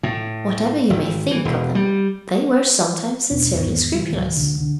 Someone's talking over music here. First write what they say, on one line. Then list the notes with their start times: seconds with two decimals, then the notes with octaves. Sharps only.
Whatever you may think of them, they were sometimes sincerely scrupulous.
0.03 A2
0.90 G#1
1.31 E3
1.45 E1
1.75 G3
3.31 E1 D4
3.54 G#1 E2
3.94 E3 G3
4.12 D1 E3 F#3
4.37 C#2 D3
4.61 D3